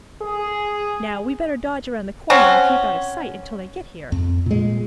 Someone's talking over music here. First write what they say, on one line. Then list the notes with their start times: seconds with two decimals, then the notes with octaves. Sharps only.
Now we'd better dodge around the corner and keep out of sight until they get here.
0.22 G#4
2.30 C4 C#4 F#5
4.12 F2
4.46 A#2 G#3